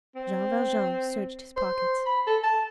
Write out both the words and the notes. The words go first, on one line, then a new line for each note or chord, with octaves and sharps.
Jean Valjean searched his pockets.
C4
C5
B5
A4
A5